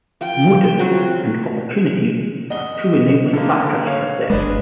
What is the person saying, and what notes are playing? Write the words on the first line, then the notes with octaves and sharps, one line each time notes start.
"Motive" and "opportunity" are two enabling factors for theft.
F4 G5
F#3 C4 F4 F#4
D#5 F#5 G7
D3 A#3
C#5 F5
G1 G#3 D4 B4 D#5